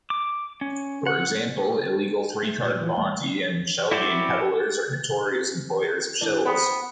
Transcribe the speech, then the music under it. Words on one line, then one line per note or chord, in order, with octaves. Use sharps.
For example, illegal three-card monte and shell-game peddlers are notorious employers of shills.
D6
C#4
F#5
A3
A#2
E3 F3
D#1 G3 A3
E4 F#4 G4 C5 D5
E3 D4
B3 C5 G5